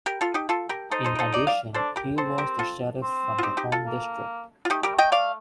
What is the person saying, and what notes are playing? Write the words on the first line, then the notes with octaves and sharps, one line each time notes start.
In addition he was the Sheriff for the Home District.
G4 A#4
F4 A4
D#4 G4
F4 A4
G4 A#4
D#4 A4 C5
A4 C5
A#4
A4 C5
A#4 D5
D5 F5
D4 A4 C5
G4 A#4
C4 A4 C5
G4 A#4
F4 A4
C4
F4
D#4 G4
D#4 G4
F4 A4
A#3
F4
A3 D#4 G4
G3 G4 A#4
A3 D#5 G5
D5 F5